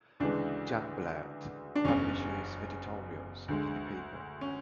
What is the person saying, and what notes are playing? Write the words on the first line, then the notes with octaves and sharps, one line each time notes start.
Jumblatt publishes editorials in the paper.
D2 C#3 E3 G#3 D4
D4
F#1 E2 C#3 C#4
D2 D3 G#3
C#4